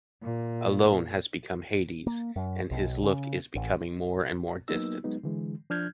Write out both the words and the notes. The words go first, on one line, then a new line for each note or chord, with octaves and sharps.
Alone has become Hades, and his look is becoming more and more distant.
A#2
A#3
F#2
B1
C#3
A1
F#3 A#3 B3 D#4 E6
F#3 G#3 B3 D#4
D3 E3 G#3
F3 D4 F6 G6 G#6